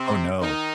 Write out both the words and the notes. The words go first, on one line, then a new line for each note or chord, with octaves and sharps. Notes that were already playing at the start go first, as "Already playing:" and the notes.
Oh, no.
Already playing: C3 C4
D#3 D#4